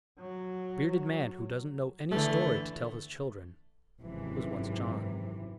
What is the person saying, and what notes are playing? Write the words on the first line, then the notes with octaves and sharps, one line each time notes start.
The bearded man who doesn't know any story to tell his children was once John.
F#3
D3 E3 A3
G#1 F#2 C3 E3